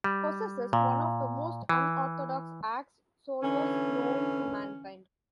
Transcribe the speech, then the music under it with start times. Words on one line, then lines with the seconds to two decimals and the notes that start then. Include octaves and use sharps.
Possesses one of the most unorthodox 'axe' solos known to mankind.
0.04 G3
0.73 A#2
1.69 E3
3.43 D3 E3 C#4